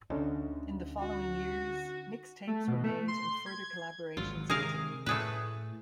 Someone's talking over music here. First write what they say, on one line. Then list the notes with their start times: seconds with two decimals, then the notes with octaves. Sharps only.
In the following years, mixtapes were made and further collaborations continued.
0.10 D2 D3 C#4 D#4
0.99 F#4
2.47 A3
2.68 B2
2.84 A3
3.08 C6
3.46 G#6
4.17 G#1 F#3 F4
4.50 C3 D#3 G#3 G#4 A#4 F5
5.06 A2 A3 G#4 B4